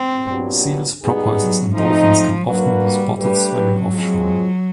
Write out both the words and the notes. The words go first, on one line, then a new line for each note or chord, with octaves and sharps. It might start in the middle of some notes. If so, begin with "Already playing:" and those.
Seals, porpoises and dolphins can often be spotted swimming offshore.
Already playing: C4
A#2 F#3 B3 D4 G4
G3 B3 D#4 G#4
F#3
F3 A3 C4 D#4
F#3 A#3 D4 F#4 B4
G3
G3 A3 D4 G4 B4
F#3
F3 G#3 C4 F4 G#4